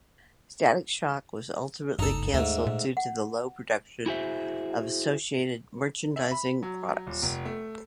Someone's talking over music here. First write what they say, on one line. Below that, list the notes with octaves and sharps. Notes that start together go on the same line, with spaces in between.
"Static Shock" was ultimately cancelled due to the low production of associated merchandising products.
F#1 C#2 G2 D#4 A4
D#2 G#2 A3 F4
A#2
F#5
E4 F#4 G#4 C5 E5
E5
B5
F#3
D#1
F1
A3